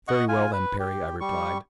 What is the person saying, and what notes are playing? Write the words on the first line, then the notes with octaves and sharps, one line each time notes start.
"Very well then, Perry." I replied.
D#5 F#5 C#6
F4 G#5
B4
G4
G3 C#6